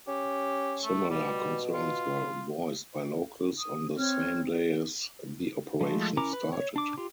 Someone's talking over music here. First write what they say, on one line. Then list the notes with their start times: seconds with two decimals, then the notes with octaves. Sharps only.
Similar concerns were voiced by locals on the same day as the operation started.
0.08 C#4 G4
0.84 A3
1.10 B2 G3
1.74 F4
3.58 D#6
3.96 C4 C#5 F6
5.81 F3 G#3 A3
6.17 C#4 E4 A#4 A#5 D6
6.33 B4
6.53 C#5
6.76 D4 D6
6.98 F4 G4